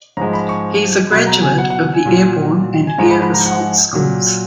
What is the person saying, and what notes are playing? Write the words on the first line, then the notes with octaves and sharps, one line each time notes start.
He is a graduate of the Airborne and Air Assault schools.
G#2 F3 G#3 A#5
B5
C#6
B2 F#3 B5
A#5
G#5
F#5
F#5
F#5
G#5
A#2 F#3
G#5
G#2 F3 G#3 A#5
B5
B5
A#5
F#5
A#2 F#3